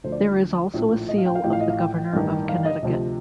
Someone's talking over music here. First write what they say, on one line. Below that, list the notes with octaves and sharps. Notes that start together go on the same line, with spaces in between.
There is also a seal of the Governor of Connecticut.
D2 D3 F3 C5
D5
A#1 A2 F3
D#5
F5
G5
F5
A1 A2 F3 G5
F5
D#5
F5
G5
A1 G2 D#3
F5
D#5
D2 C3 F3 D#5